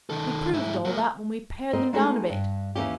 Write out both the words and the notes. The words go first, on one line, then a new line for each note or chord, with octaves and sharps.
We proved all that when we pared them down a bit.
D#3 A4
G#2 E4
F#3 A#3
B3 C4 A#4 D#5
G#3 A3 D#4 F#4 G#4
G2
D#2 E3 A#3 C#4 G4